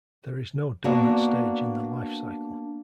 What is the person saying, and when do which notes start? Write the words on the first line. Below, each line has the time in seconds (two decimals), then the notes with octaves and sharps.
There is no dormant stage in the lifecycle.
0.84 A#3 B3 D4 F#4 D5